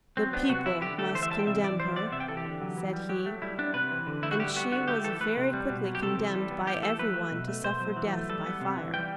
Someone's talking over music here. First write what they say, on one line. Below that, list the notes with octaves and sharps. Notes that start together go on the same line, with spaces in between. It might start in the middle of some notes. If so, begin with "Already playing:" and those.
"The people must condemn her," said he, and she was very quickly condemned by everyone to suffer death by fire.
F#3 C4
B3 D4
C3 F#4
E3 E4
D3 G4
A3 A4
E3 C5
E5
G3 A5
G5
C3 E5
E3 D5
G3 C5
B3 D5
C3 E5
G5
E3 A4
G4
D3
F#3
E3
G3
F#3 G4
A3
G3 E4
B3 D4
C3 B4
E3
D3
A3 E4
F#4
G3 G4
B3 F#4
D3 F#4
A3 G4
E3 A4
A3 B4
C3
G3
B2
F#3
G4
C3 A4
E3
G3
B3
E3 G4
A3 A4
F#3 B4
A3
B2
A3
B2 C5
F#3
E3
A3
G3 A4
B3
C3
E3
G3 G5